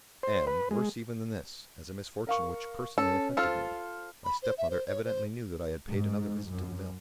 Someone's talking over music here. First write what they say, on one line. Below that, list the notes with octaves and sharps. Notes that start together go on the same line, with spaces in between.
And, worse even than this, as a misfortune which personally affected me, my stepmother evidently knew that I had paid another visit to the mill.
C5
B4
G#3
A#4 F5 C#6
C#4 A4
F4 A4 C5 F6
B5
C5
E5
C5
C#5
C5
G#2
F#2